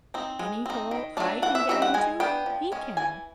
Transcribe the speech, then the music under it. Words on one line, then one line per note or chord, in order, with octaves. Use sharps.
Any hole I can get into he can.
C4 D#4
G#3
C4 D#4
D#3
F#3 A3 D4
E3 F#5
E5
G3 C4 D#4 E5
F#5
G#3 G#5
B3 D4 G5
F3
G#3 C#4
E3 G#5